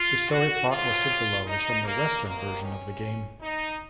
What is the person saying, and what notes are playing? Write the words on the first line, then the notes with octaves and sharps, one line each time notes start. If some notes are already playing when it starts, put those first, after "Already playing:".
The story plot listed below is from the Western version of the game.
Already playing: F4
F#4
C3 F#3 F4
D#4
A#3
C3 D#3 F#3 A#3
C#4
D#4